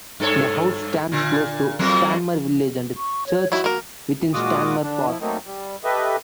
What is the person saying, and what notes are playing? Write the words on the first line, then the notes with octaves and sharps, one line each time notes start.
The house stands close to Stanmer village and Church, within Stanmer Park.
G2 A4 C#5
A#2 D3
F2 F#3 A#3
C#6
C#5
D#3 F#3 E4 F#4
A#3 A#4
A#2 G#3 F4 F#4 D6 D#6
D3 D4
F3 E4
F#3 A3 A#3 C4 D#4
G3
G4 A4 B4 D#5 E5